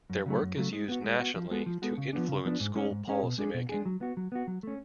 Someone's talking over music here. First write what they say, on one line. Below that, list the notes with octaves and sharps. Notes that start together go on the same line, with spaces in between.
Their work is used nationally to influence school policy making.
F#2
C#3 F#3 A3
F#2
C#3 F#3 A3
G#3
B3 F#4
G#3
B3 F#4
F3
G#3 B3 F#4 A4
F3
G#3 B3 F#4 A4
C#3
F3 B3 D4
C#3
F3 B3 D4
G#2
G#3 C#4 G#4 C#5
G#2
G#3 C#4 G#4 C#5
B2
G#3 D4 G#4
B2
G#3 D4 G#4
F#3
B3 F#4
F#3
B3 F#4
F#3
A3 C#4